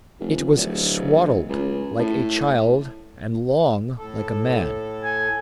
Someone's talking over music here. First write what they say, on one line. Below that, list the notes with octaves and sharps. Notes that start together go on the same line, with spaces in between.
It was swaddled like a child and long like a man.
F1
D1
C#2
A2
A2 A4
G#5